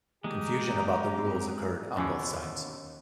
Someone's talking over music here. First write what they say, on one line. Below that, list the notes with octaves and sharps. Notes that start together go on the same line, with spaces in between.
Confusion about the rules occurred on both sides.
E3 G3 G#3 A#3 G4 A#5
C4
D#2 B2 D3 E3 C#4 G#5